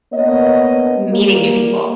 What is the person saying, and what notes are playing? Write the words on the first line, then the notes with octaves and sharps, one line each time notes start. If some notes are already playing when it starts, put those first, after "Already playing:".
meeting new people?
A#3 B3 D4 C#5 D#5
G3 A#3